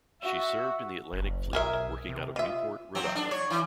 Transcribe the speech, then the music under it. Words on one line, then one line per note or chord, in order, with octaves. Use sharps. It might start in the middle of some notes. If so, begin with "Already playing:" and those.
She served in the Atlantic Fleet working out of Newport, Rhode Island.
F#4 E5
F#1
B1 G#4 A#4 E5
C3
F4 D#5 E5
F#3 C4
D4
C#5
E3